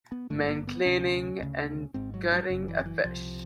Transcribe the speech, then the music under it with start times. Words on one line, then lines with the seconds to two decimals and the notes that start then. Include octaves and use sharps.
Man cleaning and gutting a fish.
0.12 B3
0.30 G#1 G2 D3 A3
0.48 A#3
0.67 B3
0.85 D2 C3 C#4
1.40 D2 C#3
1.94 G#1 G#2 C4
2.14 F#3
2.32 F#3
2.49 F#1 F#2 C#3
2.68 E3
2.86 E3
3.04 C2 C3 F3